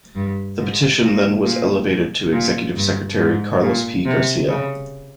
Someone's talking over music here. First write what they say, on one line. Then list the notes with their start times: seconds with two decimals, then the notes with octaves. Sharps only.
The petition then was elevated to Executive Secretary Carlos P. Garcia.
0.15 G2
0.58 G#2
1.02 A#2
1.45 A#2
2.32 A#2
2.75 G2
3.19 G#2
3.62 A#2
4.06 C3
4.48 C#3